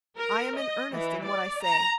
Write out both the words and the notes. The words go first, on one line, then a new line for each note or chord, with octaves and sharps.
I am in earnest in what I say.
A#4
D#5
E3
D5
A#5